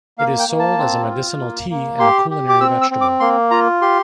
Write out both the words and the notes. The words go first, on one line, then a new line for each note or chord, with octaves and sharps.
It is sold as a medicinal tea, and a culinary vegetable.
A#3 F5
G5
A#3
A5
C4
F4
A#3
A#3
G4 C6
G4
D6
C4 E6
E6
C4
D6
A#3 C6
F4 A#5
G4 C6